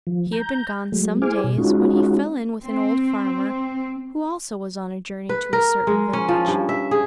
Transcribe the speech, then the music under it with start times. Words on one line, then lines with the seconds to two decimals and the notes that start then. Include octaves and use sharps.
He had been gone some days, when he fell in with an old farmer, who also was on a journey to a certain village.
0.07 F3
0.32 A#5 G6
0.92 F#3 G#3 A3
1.22 E4 G#4 C5 G#5 D6 F6
1.44 B2
1.58 G#3 C#4 D#4 F4 F#4
2.64 C4
5.29 B4
5.53 A#4
5.87 G#3
6.13 C#4
6.29 F3
6.48 G2
6.69 E5
6.91 G#4